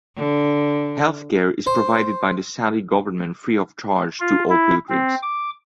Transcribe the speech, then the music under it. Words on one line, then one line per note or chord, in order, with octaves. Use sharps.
Health care is provided by the Saudi government free of charge to all pilgrims.
D3
C5
F4
E4
C4
D6